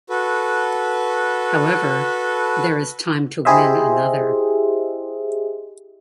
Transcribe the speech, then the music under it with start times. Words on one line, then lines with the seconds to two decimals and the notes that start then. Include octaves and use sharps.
However, there is time to win another.
0.10 F#4 A4 B4
3.45 E4 G4 G#4 C5 D#5 E5